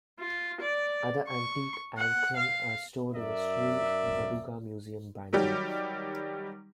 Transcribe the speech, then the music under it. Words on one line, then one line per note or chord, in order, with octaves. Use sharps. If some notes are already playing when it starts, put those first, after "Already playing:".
Other antique angklung are stored in the Sri Baduga Museum, Bandung.
F4
D5
C#6
F#5
F5
F#2 A#4 D5 E5
D#3 F#3 G3 G4